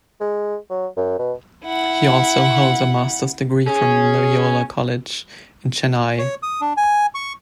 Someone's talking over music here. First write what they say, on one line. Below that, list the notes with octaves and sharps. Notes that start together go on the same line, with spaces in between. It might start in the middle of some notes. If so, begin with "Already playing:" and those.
He also holds a master's degree from Loyola College in Chennai.
G#3
F#3
F#2
B2
E4 F#5
C#4 G#4
C#5
D#6
D4
G#5
C#6